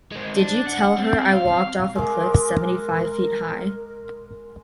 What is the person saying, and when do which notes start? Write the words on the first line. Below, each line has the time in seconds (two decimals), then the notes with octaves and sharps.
Did you tell her I walked off a cliff seventy-five feet high?
0.11 G#3 C4
0.35 D4
0.67 F#5
0.98 C4
1.33 F5
1.95 G#3 A#4 D6